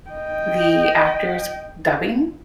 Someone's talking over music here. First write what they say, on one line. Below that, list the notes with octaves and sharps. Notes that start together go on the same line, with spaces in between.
the actors dubbing,
D#5 G5